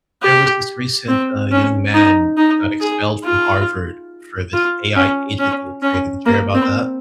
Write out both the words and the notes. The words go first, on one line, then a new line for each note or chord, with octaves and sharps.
There was this recent, uh, young man, he got expelled from Harvard for this AI agent he had created. Did you hear about that?
G4
C4
C#4
D#4
D#4
G#4
F4
F4
C#4
C#4
C#4
A#3
C4